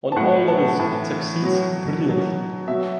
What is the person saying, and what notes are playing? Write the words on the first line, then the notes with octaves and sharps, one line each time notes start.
On all levels it succeeds brilliantly.
A5
A2 F#3 F#5
A5
F#5
A5
A2 E3 A5
B2 F#3
B2 F#3
B2 F#3 E5